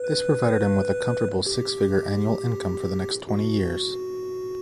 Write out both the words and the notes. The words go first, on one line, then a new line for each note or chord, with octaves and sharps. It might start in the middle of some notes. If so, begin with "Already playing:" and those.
This provided him with a comfortable six-figure annual income for the next twenty years.
Already playing: B4
G4
F#4